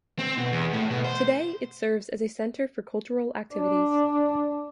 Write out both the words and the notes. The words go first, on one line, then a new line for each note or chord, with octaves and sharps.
Today it serves as a centre for cultural activities.
C4
B2
E2
A2
B2
C5
D4